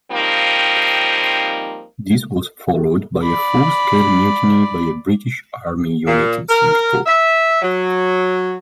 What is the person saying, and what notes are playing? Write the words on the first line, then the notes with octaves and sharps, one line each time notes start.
This was followed by a full-scale mutiny by a British Army unit in Singapore.
F3 G3 A#3 C4 D#4
D5 B5
A#2
A#4
E5
F#3